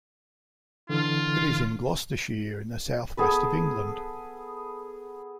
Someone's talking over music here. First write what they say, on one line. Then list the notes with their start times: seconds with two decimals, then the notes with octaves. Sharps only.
It is in Gloucestershire in the South West of England.
0.89 D3 E3 F4
3.17 B3 G#4 A4 B4